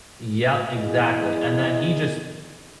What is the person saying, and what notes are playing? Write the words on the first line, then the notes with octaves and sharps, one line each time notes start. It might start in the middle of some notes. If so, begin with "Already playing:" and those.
Yep, exactly, and then he just
E2 E4 G#4 D#5